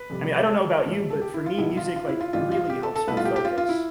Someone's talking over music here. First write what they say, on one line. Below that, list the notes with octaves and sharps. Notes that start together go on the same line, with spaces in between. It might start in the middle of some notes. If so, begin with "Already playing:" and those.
I mean, I don't know about you, but for me, music, like, really helps me focus.
Already playing: B4
F2 C3 G3
A4
A1 A2 E3 G3
A4
G4
E4
F4
B1 B2 G3 E4
F4
F4
E4
F4
A1 G2 E3 G3 F4
F4
G4
A4
A4
C2 B2 A3 B4
F4
G4
G4
F4
F4
E4